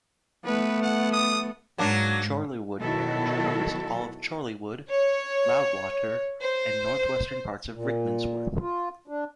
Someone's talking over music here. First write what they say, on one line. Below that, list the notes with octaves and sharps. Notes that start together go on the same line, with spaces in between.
Chorleywood parish covers all Chorleywood, Loudwater and north-western parts of Rickmansworth.
A3 B3 B4
F#5
D#6
G#2 F#3 A#3 D4
B2 D#3 F#3 E4 F#4 A4
C#5
C5
A#2
F4
D4